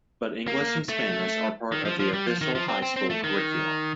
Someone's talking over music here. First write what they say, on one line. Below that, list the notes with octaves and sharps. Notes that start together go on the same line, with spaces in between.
But English and Spanish are part of the official high school curriculum.
A#3
A3
D#3
F3
F3
G3
F3
D#3
F3
C4
C4
C4
A3
D#3